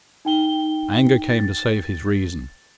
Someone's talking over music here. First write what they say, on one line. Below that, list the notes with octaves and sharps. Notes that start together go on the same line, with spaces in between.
Anger came to save his reason.
D#4 G5 G7
A6